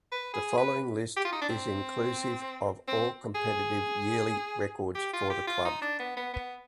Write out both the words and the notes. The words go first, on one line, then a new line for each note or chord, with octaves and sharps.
The following list is inclusive of all competitive yearly records for the club.
B4
G#4
B4
G4
F4
D#4
D4
C4
C4
G#4
G4
F4
G4
F4
D#4
D4
B3
B3
B3